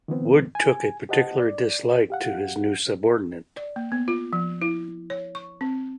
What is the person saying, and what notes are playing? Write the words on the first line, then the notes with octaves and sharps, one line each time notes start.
Wood took a particular dislike to his new subordinate.
D#3 F3 B3 C4
G#5
G4 C5 D#5 F#5 A5
D5
G4 F5 F#5
D5
A#3
B3
F4
F3
E4
C#5
C#6
C4